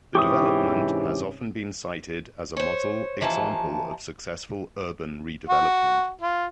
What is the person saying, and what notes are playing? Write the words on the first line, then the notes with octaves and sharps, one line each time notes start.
The development has often been cited as a model example of successful urban redevelopment.
G#2 C3 E3 C#4 G4 C#6 D#6
C5 C#5
D#2 E3 F3 A#3 D#5 A5
F#4
F4